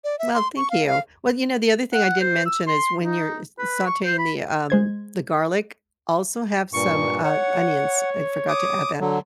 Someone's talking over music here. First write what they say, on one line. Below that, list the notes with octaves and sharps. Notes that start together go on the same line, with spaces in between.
Well, thank you. Well, you know, the other thing I didn't mention is when you're s sauteing the, um, the garlic, also have some, uh, onions. I forgot to add that.
D5
E5
C6
C#6
F5
F5
F#5
C5
E6
C6
D#4
B4
C#6
C5
B5
G#3 C5 G#6
G2 A#2 C#6
C#5 F#5
D6 D#6
D3 F#3